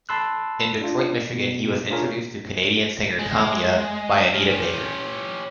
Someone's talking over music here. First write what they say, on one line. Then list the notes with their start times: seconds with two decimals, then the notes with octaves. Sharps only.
In Detroit, Michigan, he was introduced to Canadian singer Tamia by Anita Baker.
0.09 A5 B5 C6 E6 F#6
0.81 D4 F4
1.33 B2
1.90 D4 F4 G#4 A#4 C#5
3.19 G#3
4.34 G#3 A#4
4.50 C#4 G4